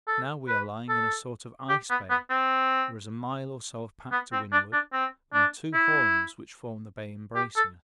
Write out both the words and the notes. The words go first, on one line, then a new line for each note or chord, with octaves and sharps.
Now we are lying in a sort of ice bay--there is a mile or so of pack to windward, and two horns which form the bay embracing us.
A4
B4
A4
G4
B3
B3
C4
B3
C4
D4
D4
C4
D4
E4
G4
A4